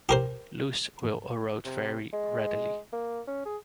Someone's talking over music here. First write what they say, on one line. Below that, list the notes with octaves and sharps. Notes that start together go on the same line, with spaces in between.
Loess will erode very readily.
G4 A#4 C5
C3
G#3
A#3
C#4
G#4